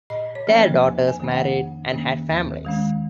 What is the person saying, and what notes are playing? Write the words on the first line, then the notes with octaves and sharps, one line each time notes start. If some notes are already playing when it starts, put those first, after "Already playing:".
Their daughters married and had families.
A#2 D#5
C#5
F3 A#3 C#4
B4
F2 G#5
G#5
D#3 A#3 C#4
F#5
F2
D#3 A#3 C#4
D#2
D#3 G#3 C#4